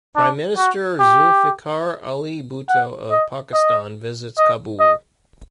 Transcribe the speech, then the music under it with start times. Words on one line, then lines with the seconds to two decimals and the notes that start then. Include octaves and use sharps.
Prime Minister Zulfikar Ali Bhutto of Pakistan visits Kabul.
0.16 D4
0.57 F#4
1.00 G4
2.69 F#5
3.11 D#5
3.53 D#5
4.38 D#5
4.80 D#5